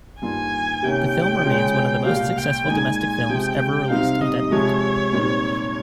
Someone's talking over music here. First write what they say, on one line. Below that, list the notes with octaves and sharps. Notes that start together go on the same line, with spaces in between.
The film remains one of the most successful domestic films ever released in Denmark.
G2 D#3 A#3 F4 G#5
C3 D#3 A#3 C#4 G5
C#3 G#3 C#4 F4
C2 A#2 G3 F5
G5
A#2 G#3 D#4 G#5
C3 F3 G#3 C4 G5
C3 G3 C4 D#4 F5
D#5
C3 F3 G#3 C#5
A#2 G3 C4 D#4